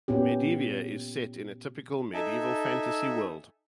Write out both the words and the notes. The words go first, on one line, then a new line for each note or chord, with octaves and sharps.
Medievia is set in a typical medieval fantasy world.
A#2 B3 C#4 G4
D#4 A4 E5 G#5